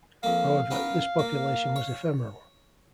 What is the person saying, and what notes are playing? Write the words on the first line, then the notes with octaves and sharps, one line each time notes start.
However, this population was ephemeral.
F2 A#3 F5
B3 C#4 A#4
A#3
C#5